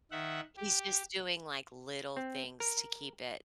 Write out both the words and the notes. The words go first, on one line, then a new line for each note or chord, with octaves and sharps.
He's just doing, like, little things to keep it
D#3 E5 F#5
G4
C4
A#4